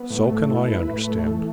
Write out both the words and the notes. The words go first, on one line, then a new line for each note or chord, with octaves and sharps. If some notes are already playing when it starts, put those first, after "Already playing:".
'So can I understand.
Already playing: B3
A2
A3
E4
B4
A2
A3
E3